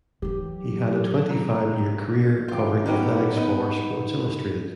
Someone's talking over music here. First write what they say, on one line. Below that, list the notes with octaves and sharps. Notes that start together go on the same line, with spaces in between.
He had a twenty-five-year career covering athletics for "Sports Illustrated".
E3 F#3 G4
A#5
F4 G4
F#3 B3 C#4 D#4 G4
B3 D#4